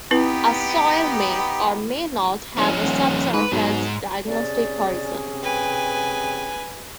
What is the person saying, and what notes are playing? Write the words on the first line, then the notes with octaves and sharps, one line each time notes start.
A soil may or may not have a subsurface diagnostic horizon.
B3 C4 D#4 E4 G4 B4
G1 F3 C#4
D#1
G#2 B4
B1 G#2
C3 C#4 G#4 D5
B4 G5 G#5